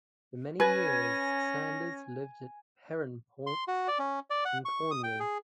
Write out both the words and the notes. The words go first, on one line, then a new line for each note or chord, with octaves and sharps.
For many years Sanders lived at Perranporth in Cornwall.
C#4 B4 G#5 A#6
C6
F#4
D5
C#4
D5
F#5
C#6
D#6
G5
G#4